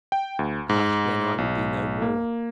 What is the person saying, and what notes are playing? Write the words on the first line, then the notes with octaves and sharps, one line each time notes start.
Ah! then I will be no more!
G5
D2
G#2
B1
A#3